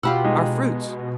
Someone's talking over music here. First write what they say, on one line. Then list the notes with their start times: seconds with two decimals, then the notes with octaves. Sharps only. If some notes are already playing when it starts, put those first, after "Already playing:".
Our fruits.
0.03 B2 F4 G4 F5 F#5 B5 E6
0.25 G#3 D#4